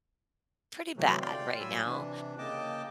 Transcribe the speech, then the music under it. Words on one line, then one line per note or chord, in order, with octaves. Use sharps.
pretty bad right now.
C3 E3 F#3 A3
D5 F5 G5 C6
A2 F#3 G#5 B5 E6
C3 E3 D4
C#3 A#3 D#5 G5 A5 D6